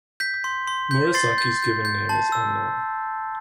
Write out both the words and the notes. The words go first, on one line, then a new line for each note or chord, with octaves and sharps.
Murasaki's given name is unknown.
G6 B6
C6
C6
G6
C6 A6 C7
G6
G6
G6
A5
E6